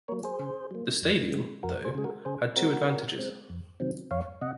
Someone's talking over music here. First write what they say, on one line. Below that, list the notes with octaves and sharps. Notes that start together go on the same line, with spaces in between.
The stadium, though, had two advantages.
F#3 A#3 A#4 C#5
G#4 C5
C#3
F#3 A#3
F2
C#3 G#3
F2 F#4 A#4
G#4 C5
C#3 G#3 G#4
F#4 A#4
C#3 G#4 C5
G#3 C4 F#4 A#4
C#3
G#3 C4
F2
C3 D#3 F#3 C4
F2 C#5 F5
C3 D#5 F#5